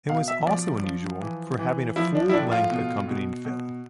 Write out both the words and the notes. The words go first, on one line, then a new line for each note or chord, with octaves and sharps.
It was also unusual for having a full-length accompanying film.
B2 F5
E5
F3 D5
F3
E3
E3
F3 E4
D4
E4
A2 D4
F4
B2
B2
B2